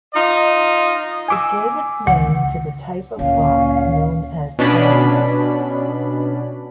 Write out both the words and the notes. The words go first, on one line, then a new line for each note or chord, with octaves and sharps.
It gave its name to the type of rock known as gabbro.
D#4 F4 D#5
G#5 D6 E6
C#2 E3 F#5
D2 A#2 A#3 C#4 F5
B2 C#4 D4 B5